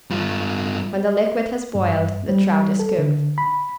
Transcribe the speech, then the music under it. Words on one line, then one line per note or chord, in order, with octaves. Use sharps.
When the liquid has boiled the trout is cooked.
G2 F4
G2
G3
A4
D3
B5